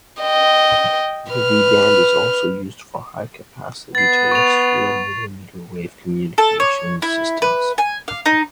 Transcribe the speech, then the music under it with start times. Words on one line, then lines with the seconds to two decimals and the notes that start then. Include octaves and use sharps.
The V band is also used for high capacity terrestrial millimeter wave communications systems.
0.22 D#5 G5
1.32 B4 F6
3.95 B3 A6 C7
4.31 C#6 F7
6.38 A4
6.60 C#5
7.02 E4
7.42 B4
7.78 G#5
8.08 F5
8.26 D#4